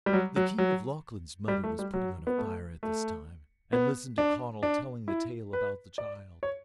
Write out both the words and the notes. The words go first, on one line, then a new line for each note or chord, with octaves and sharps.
The king of Lochlann's mother was putting on a fire at this time, and listening to Conall telling the tale about the child.
G3
F#3
F#3
F#3
G3
A3
G3
F#3
B3
A3
A3
B3
D4
D4
E4
B4
D5
C#5